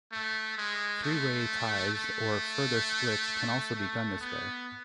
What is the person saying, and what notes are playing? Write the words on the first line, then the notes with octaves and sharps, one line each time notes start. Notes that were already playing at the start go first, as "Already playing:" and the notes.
Three-way ties or further splits can also be done this way.
A3
G#3
A3
A3
A3
B3